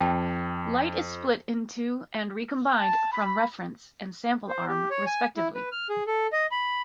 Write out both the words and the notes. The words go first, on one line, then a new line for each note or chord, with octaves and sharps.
Light is split into and recombined from reference and sample arm, respectively.
F2 G5 A5
A5
B5
C5
G4
C#5
G#5
E4
B4
F6
G#4
A4
D#5
B5